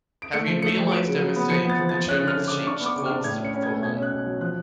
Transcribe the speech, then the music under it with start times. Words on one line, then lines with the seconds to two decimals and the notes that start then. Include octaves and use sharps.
Having realised their mistake, the Germans changed course for home.
0.22 D7
0.33 A3 C#7
0.48 F3
0.62 A3 C#7
0.78 F3
0.92 F#3 D7
1.07 C#3
1.21 F#3
1.36 B3
1.50 F3 C#7
1.65 B3 A6
1.79 F3
1.89 F3 A6
2.08 C#4 F#6
2.23 D3 F6
2.37 D3
2.48 D3 D6
2.67 D4 C#6
2.80 B3
2.86 D6
2.95 C#3
3.06 D4 F6
3.24 A2 G#6
3.40 C#4 C#7
3.54 C#4
3.63 G#6
3.68 A3
3.83 B2 G#6
3.97 C#4
4.03 F#6
4.12 B2
4.26 F#3
4.41 F3 F#6